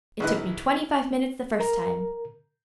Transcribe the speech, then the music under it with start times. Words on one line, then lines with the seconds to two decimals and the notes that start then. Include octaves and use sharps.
It took me twenty-five minutes the first time.
0.20 A#1 D#3 E4 B4 D#5 F#6
1.60 A#4 A#5